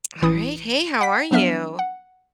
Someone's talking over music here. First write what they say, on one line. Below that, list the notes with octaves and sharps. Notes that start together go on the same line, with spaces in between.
All right. Hey, how are you?
A1 E3 E4 D#6
F#5 G5 B6
F3 F#3 B3 D4 E5 F6
F#5